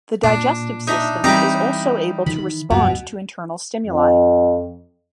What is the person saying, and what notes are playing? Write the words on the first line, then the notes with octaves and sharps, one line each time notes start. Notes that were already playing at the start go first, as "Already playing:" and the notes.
The digestive system is also able to respond to internal stimuli.
A#2 D4
D4 D#4 E5
E3 G3 C4 D#4 B4 A#5
D#3 B5
D2 G2 B2 F#3
F2